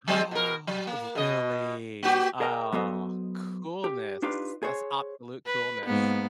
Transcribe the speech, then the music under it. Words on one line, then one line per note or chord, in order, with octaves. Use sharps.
Ah, oh, really? Ah, coolness. That's absolute coolness,
F#3 G#3 C4
B2 A#4
F#3
A#3
B2 D#5
A#3 F#4 G4
G#4 A#4 D#5 F5 G5
F#3 B3 A4 C5 D#5
G4
D4 D#4 F4 G4 B4
G#4 C5 C#5
B4
G#2 A#3 B3